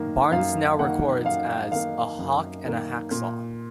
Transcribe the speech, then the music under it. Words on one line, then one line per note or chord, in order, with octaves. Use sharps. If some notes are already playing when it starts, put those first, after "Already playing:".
Barnes now records as A Hawk and a Hacksaw.
Already playing: F#2 D#3 A#3
F#2 F5
D#3 A#3 F#5
F#2 F5
D#3 A#3 F5
F#2
D#3 A#3
A#2